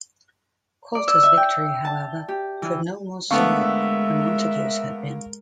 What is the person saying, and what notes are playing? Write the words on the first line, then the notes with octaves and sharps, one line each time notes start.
Colter's victory, however, proved no more solid than Montague's had been.
D5
E6
E5
G5
A5
G4
E3
D3 G#3 A3 B3 A#4 E5 F5 C#6